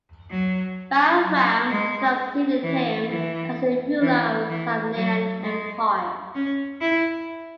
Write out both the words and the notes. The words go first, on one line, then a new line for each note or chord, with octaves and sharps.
Bahram thus succeeded him as the ruler of the Sasanian Empire.
F#3
F#3
G#3
E3
E3
E3
E3
F#3
G#3
C#4
E4